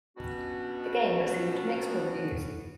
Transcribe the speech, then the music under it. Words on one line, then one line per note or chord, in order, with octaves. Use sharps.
The game received mixed reviews.
B2 G3 B3 C#4 D4 F#4